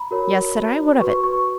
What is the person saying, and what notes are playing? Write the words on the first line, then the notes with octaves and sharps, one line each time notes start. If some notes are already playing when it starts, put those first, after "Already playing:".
"Yes!" said I. "What of it?"
Already playing: A#5 B5
F#4 A#4 C#5
F#4 B4 C#6
C#6